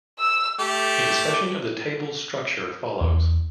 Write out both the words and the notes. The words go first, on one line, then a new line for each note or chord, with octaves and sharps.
A discussion of the table's structure follows.
E6
A3 G4 D6
E2